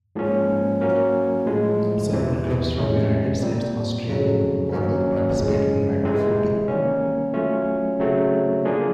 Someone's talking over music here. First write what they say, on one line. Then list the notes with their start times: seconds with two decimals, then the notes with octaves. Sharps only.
Several clubs from the United States Australian Football League participate in Metro Footy.
0.15 G#2 F3 A#3 C#4
0.81 F#3 A#3 C#4 F#4 A#4
1.46 A2 F3 G#3
2.12 E2 C3 E3
2.77 F2 C3 D#3 G#3 C#4
3.41 A#2 G3 C4
4.07 F2 C#3 F#3
4.72 D#3 F#3 A#3 C#4
5.38 F#2 C#3 F3 G#3 C#4
6.03 C3 E3 G#3 C4
6.68 D#3 G3 A#3 C#4
7.33 F#3 A3 C#4 F4
7.99 C#3 F#3 A3 C4
8.64 F3 A#3 D4 F4 G#4